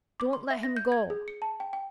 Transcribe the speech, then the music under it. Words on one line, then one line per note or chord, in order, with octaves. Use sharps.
"Don't let him go."
D6
C6
E5
A#6
G6
G#6
G#4
C#7
A5
G5
G5